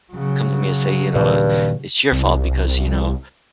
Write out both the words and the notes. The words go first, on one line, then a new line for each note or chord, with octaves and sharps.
come to me and say, you know, "It's your fault, because," you know,
C#3 F#3
G2 A#2 D#3
C2